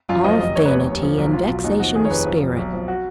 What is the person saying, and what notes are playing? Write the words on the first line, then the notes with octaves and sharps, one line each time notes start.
"All vanity; and vexation of spirit!"
F#2 F4
F3 D#5
F1 D#5
F1 C#5
B4
D#2 C#5
D#2
F3
B1
B1 F4
B2
D#2 D#4
F3 F#4
D#3 G#4
C#5
F1 B4
F3
F3
B1
F3
F#4